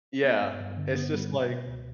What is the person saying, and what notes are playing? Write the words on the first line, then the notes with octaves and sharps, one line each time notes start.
Yeah, it's just, like
B3
G2
G2
D3
B3
G3
B2
B2
C#2